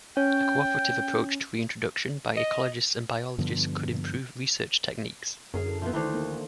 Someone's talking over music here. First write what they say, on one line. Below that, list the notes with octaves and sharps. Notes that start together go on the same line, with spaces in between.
A cooperative approach to reintroduction by ecologists and biologists could improve research techniques.
C#4 G5
D#5
G2 D3 F3 B3
F#2 D3 C#4 G#4 A#4
E4 A4
F3 B3 E5
D2 D#3 E3 E4 C5
A#3 D#4 A4